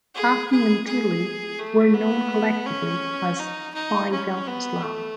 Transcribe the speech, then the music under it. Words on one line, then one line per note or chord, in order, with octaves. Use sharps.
Sassi and Tilly were known collectively as Phi Delta Slam.
G#4
G#4
G#4
A3
B3
C#4
D#4
D#4
C#4
B3
A3